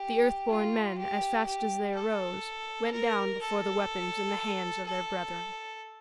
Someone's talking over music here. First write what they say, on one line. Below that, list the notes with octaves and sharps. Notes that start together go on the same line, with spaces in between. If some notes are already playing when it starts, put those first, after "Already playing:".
The Earth-born Men, as fast as they arose, went down before the weapons in the hands of their brethren.
Already playing: G4
F4
G4
G4
A4
A#4
A4
A4